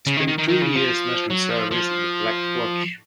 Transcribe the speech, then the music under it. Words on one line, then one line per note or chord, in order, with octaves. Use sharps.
He spent two years national service in the Black Watch.
C#3
D#3
D#3
D#3
D#3
C#3
F3
F#3
F3
F3